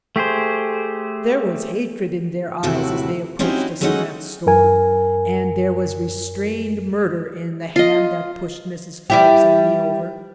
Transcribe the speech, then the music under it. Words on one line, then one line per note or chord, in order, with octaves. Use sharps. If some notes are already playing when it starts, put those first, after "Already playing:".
There was hatred in their eyes as they approached us in that store, and there was restrained murder in the hand that pushed Mrs. Phillips and me over.
A3 G4 G#4 C5
D#2 A2 C3 A3 E4 F#4
C4 C#4 D#4 E4 F#4 G4
F#3 G#3 A3 C#4 D#4 F#5
F#2 A#4 G#5
F4 D#5
G3 E4 G4